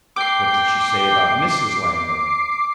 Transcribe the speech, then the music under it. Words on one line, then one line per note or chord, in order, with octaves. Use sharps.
"What did she say about Mrs. Langmore?"
G5 D6 C7